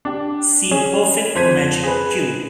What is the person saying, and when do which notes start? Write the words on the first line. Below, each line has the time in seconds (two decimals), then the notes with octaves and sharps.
See Perfect magic cube.
0.05 D4 G4
0.71 C#4 G#4
1.35 F2 C5 G#6 B6 D#7
1.84 G#4 B4